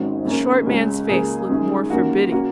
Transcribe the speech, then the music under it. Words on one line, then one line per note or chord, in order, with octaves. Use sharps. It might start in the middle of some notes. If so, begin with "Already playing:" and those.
The short man's face looked more forbidding.
Already playing: G#1 G#2 D#3 F#3 C#4
F#2 C#3 A#3 C#4
C#2 C#3 G#3 C#4
C#2 C#3 A#3 C#4 G#4
F#2 D#3 G#3 C#4
D#2 C#3 F#3 A#3 C#4 F#4
C#3 A#3 C#4 F#4